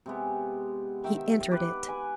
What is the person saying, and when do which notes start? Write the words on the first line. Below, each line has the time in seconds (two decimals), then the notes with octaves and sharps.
He entered it.
0.06 C3 G#3 B3
1.04 D#3 E5 G5
1.51 B4 D6
1.88 B4 G#5